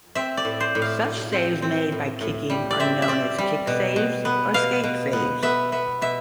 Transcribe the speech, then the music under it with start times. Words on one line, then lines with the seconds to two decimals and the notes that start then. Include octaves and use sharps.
Such saves made by kicking are known as kick saves or skate saves.
0.15 C4 E5
0.37 D5
0.45 A2
0.60 C5
0.75 A2
0.82 F5
1.04 A2
1.32 C4
1.62 C4
1.92 A2
2.21 A2
2.50 G3
2.71 D5
2.80 C4 E5
3.02 E5
3.08 C4 D5
3.38 G3
3.67 B2
3.96 B2
4.25 B3
4.54 B2 F5
4.84 B2
5.13 B3
5.43 B3 E5
5.72 B3 E5
6.02 B2 E5